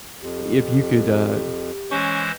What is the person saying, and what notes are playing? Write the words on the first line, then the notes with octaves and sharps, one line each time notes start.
if you could, uh,
F2 G4
E3 G#3 C#4 C5